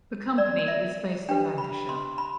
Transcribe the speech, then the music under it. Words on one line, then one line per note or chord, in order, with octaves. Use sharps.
The company is based in Lancashire.
D5
D5
E5
D4 G4 B4 G5
B5
C6
B5